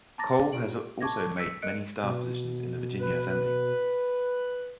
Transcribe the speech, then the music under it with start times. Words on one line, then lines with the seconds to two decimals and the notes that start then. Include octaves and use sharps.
Cole has also had many staff positions in the Virginia Assembly.
0.18 A5 A#5 D6 A6 A#6
0.52 F4 G4 D7 F#7
1.01 A5 C#6 D6 G#6 A#6
1.37 E6 B6 C#7
1.62 A#4 D#5 F#6 C#7 D7
2.03 B2
3.00 B4